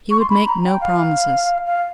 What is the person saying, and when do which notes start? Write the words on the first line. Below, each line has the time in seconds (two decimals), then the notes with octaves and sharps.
He would make no promises.
0.11 C#6
0.20 C6
0.30 B5
0.48 A#5
0.65 G5
0.81 F5
1.66 F5